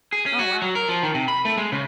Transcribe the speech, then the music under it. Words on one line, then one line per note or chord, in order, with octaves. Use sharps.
Oh wow.
G#4
C#4
F#4
F#3
A#4
F3
D#3
C3
B5
A3
G#3
C#3